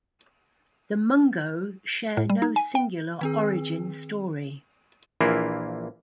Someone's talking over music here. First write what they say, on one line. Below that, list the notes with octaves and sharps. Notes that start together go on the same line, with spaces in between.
The Mungo share no singular origin story.
A2
G3
D#4
G#5
G5
D#3 C4 G#4
A#1 E3 A#3 E4 F4